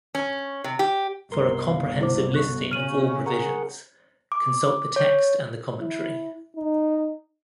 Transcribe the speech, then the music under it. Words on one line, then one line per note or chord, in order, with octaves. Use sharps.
For a comprehensive listing of all provisions, consult the text and the commentary.
C#4
C3
G4
G1 C2 A#4 C6
F5
B2 E4 C5 D6
A4 C#6 F#6
C#3 C#4 F6 D#7 F#7
G#4 A#4 F#5 A#5
D6
C#5
E4
D#4